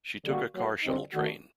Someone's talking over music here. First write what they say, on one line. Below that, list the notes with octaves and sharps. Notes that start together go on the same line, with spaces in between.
She took a car shuttle train.
D3 G3 A#3 F#4
F#3 A#3 F#4
F#2 D3 G3 C4 D#4
D#3 A3 D4 F#4